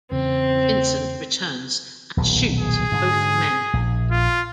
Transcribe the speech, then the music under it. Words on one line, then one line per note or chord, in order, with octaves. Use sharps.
Vincent returns and shoots both men.
E2 C#3 C4
D#1 B1 B2
G#4
G#2 D3
A#1
F4